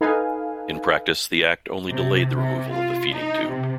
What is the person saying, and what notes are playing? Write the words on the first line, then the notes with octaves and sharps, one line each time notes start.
In practice, the act only delayed the removal of the feeding tube.
D#4 A4 B4 F5 G#5
C3
C3
F4
D#4
C3